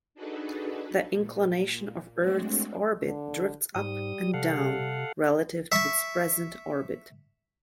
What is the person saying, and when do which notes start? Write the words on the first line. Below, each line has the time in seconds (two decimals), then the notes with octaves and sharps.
The inclination of Earth's orbit drifts up and down relative to its present orbit.
0.15 D4 D#4 F#4 G#4 A4 B4
1.14 A#2
2.19 G#3 A3 C4 D4 F#4
3.08 D3
3.75 G#2 G3 D#6
4.34 C3 A4 F5 F#5
5.72 E5 C#6